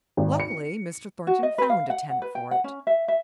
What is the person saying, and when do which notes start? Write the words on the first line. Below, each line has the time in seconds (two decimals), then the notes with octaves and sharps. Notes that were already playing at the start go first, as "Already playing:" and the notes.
Luckily, Mr. Thornton found a tenant for it.
0.17 G#1
0.40 C#7
1.27 F#4
1.43 D#5
1.58 B4
1.70 F5
1.90 F#5
2.10 F#5
2.22 B4
2.35 G5
2.51 F#5
2.64 C#4
2.87 E5
3.08 E5